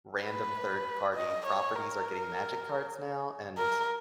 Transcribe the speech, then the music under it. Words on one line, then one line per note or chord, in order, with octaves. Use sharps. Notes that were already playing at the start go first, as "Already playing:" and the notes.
random third-party properties are getting Magic cards now, and
B4
D#5
C#5
A#4
A#4